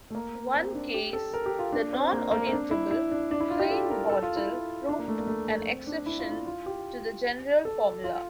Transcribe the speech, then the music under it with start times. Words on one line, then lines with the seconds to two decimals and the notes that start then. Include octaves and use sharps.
One case, the non-orientable Klein bottle, proved an exception to the general formula.
0.10 A3
0.15 A#3
0.54 C4
0.75 D4
0.94 G4
1.13 A4
1.34 A#4
1.46 G4
1.59 F4
1.72 D4
1.93 C4
2.13 A#3
2.31 A#3
2.47 C4
2.52 D4
2.71 E4
2.91 E4
3.11 D4
3.31 D4
3.40 E4
3.50 F4
3.60 G4
3.71 A4
3.90 A#4
4.10 A4
4.23 F4
4.36 E4
4.89 D4
4.99 A#3
5.08 A3
5.19 A#3
5.27 A3
5.48 A3
5.67 C4
5.87 D4
6.06 E4
6.19 F4
6.30 E4
6.46 F4
6.66 G4
7.65 A4
8.04 F4